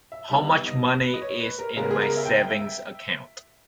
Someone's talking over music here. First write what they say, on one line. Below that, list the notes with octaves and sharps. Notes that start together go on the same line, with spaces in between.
How much money is in my savings account?
E5
D#3 G3 B3 E5
D#5
B4
D#5
C#5
B4
A#4
C#3 G#3 B3 A#4
G#4
A#4
E5
G5
E5